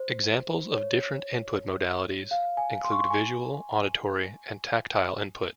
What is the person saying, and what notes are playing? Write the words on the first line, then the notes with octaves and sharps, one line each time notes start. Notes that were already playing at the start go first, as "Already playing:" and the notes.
Examples of different input modalities include visual, auditory and tactile input.
Already playing: C5
C#5
F5
G#5
C6
C#6
C6
G#5